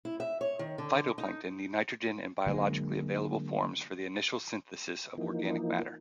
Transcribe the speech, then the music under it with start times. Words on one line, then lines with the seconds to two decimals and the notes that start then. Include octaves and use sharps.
Phytoplankton need nitrogen in biologically available forms for the initial synthesis of organic matter.
0.05 E4
0.20 E5
0.41 C#5
0.59 D#3
0.78 D3
1.18 D#4
2.46 D3 F#3 G#3 A#3
5.18 E3 F3 A#3 D#4